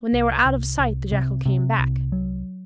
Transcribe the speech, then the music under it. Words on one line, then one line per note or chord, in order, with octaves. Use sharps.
When they were out of sight the jackal came back.
C2
C2
C2
C3
C3
C2
F#3